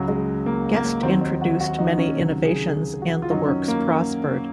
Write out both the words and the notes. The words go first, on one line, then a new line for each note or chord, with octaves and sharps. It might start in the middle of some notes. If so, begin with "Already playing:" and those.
Guest introduced many innovations and the works prospered.
Already playing: C#2 C#3 F#3
G#3
A#3
A#3
D#2 D#3 F#3 C4
D#4
F#4
F#4
D#4
C#4
C#2 C3 D#3 F#3
G#4
F#4
F4
F#2 D#3 F#3 D#4
C#4
A#3